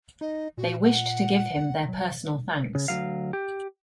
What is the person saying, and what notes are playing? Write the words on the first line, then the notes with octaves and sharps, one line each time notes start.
They wished to give him their personal thanks.
D#4 D#5
A#2 F#4
F#5
F#3
C#3
D2 B2 F#3 F5
G4